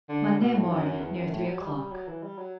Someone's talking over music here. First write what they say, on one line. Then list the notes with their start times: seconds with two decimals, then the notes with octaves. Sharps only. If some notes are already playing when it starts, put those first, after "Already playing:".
'Monday morn, near three o'clock.'
0.09 D3
0.39 B2
0.54 A2
0.69 F#2
0.85 F#2
1.00 E2
1.16 F#2
1.30 A2
1.46 F#3
1.61 G3
1.92 F#3
2.08 E3
2.23 G3
2.38 F#3